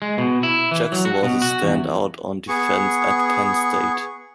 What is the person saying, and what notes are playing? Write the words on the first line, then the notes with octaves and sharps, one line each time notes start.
Jackson was a standout on defense at Penn State.
G#3
B2
E4
E3
F#3
F#4
B2
F#4
E2
B3 G#4 C#6